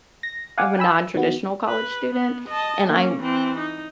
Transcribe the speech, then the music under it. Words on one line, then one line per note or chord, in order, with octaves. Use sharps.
I'm a nontraditional college student, and I
A#6
F5 F#5 G#5 D6
G5 G#5 B5 E6
D#3 B3 F#4
B4
B3
D#5 A5
A#3 C#4
E3 C4
D#4